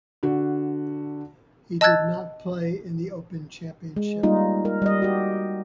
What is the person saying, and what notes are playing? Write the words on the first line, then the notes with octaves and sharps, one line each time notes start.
He did not play in The Open Championship.
D3 F#4
D#5 A5 E6 F#6 G#6 A6
G#3
G3 A#3 D#4 F4
A#4
G3 D#5
F#4 G4